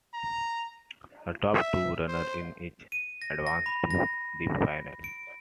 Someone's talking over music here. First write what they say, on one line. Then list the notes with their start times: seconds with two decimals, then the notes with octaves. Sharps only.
The top two runners in each advanced to the final.
0.14 A#5
1.53 E5
2.08 C5
2.92 D#7
3.22 A#6
3.47 A#6
3.66 B5
3.91 A#6
5.04 D7